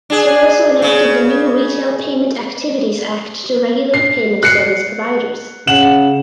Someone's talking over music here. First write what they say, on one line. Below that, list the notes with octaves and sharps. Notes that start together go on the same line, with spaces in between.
It also enacted the new "Retail Payment Activities Act" to regulate payment service providers.
D4 G#4
C#3
C7
F#6 C7 C#7
C#3 F#5 E7 F#7